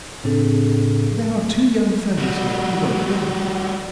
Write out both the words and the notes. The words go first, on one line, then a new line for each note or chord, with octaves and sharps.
"There are two young fellows here who won't go."
A2 C#3 C4 D4 G#4 A4
G3 F#4